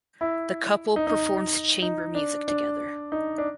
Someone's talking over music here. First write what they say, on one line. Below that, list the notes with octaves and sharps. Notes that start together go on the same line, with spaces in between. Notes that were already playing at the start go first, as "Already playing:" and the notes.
The couple performs chamber music together.
E4
D#4
D#4
D#4
D4
D4
D#4
D4